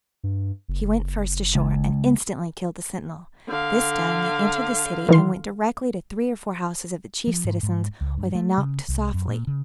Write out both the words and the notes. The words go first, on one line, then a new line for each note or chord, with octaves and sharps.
He went first ashore, and instantly killed the sentinel: this done, they entered the city, and went directly to three or four houses of the chief citizens, where they knocked softly.
G2
F#1
C#2
D3 F5
D#3 E3 C6
F3
G#2
G#2
C#2
G2
A3
C#3
C2
F#2
A#2
C#3